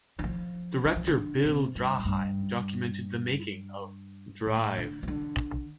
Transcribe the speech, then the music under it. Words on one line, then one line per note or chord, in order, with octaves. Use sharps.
Director Bill Draheim documented the making of "Drive".
D3
F3
D3
F3
D3
C3
G2
A2
G2
A2
D3
C3
D3